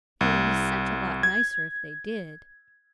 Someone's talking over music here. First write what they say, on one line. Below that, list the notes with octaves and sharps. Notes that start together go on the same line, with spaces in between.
It would be such a lot nicer if they did!
C2
G#6